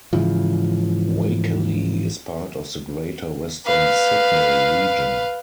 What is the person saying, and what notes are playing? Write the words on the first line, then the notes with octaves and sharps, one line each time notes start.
Wakeley is part of the Greater Western Sydney region.
G#2 C#3 E3 F3
B4 F5